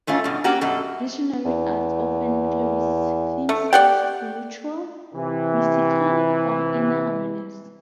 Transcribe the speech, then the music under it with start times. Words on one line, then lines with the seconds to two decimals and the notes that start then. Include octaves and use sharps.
Visionary art often carries themes of spiritual, mystical or inner awareness.
0.07 G#2 A3 C#4 F4
0.24 G2 B2
0.44 A#3 C#4 F#4 G4 F#5
0.61 F#2 B2 A4
1.45 E2
3.49 A3
3.73 G4 D5 F#5 G5
5.14 C3 E3